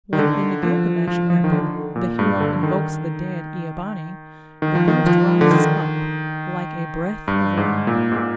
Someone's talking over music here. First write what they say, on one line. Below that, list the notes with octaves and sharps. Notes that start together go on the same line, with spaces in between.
When, in the Gilgamesh epic, the hero invokes the dead Ea-bani, the ghost rises up like a "breath of wind".
D#3
D3
F3
F3
F3
D#3
D3
A#2
G2
D3
D#3
D#3
F3
D#3
F3
D3
D#3
G2
G#2
A#2
G#2
A#2